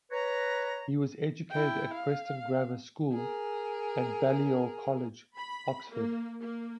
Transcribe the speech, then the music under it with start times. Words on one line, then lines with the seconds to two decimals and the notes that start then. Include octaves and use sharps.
He was educated at Preston Grammar School and Balliol College, Oxford.
0.12 B4 C#5 A#5
1.50 E4 G5
1.93 F5
3.13 G#4 A#4
5.37 B5
5.90 A#3
6.41 A#3